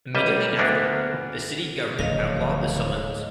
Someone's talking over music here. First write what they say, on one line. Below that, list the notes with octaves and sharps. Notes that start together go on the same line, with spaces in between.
Immediately afterward, the city government outlawed the saloons.
B1 G3 A#3 D#5 E5
D2 A#3 B3 D4
D1 C#3 F3 C#5 D#5 F5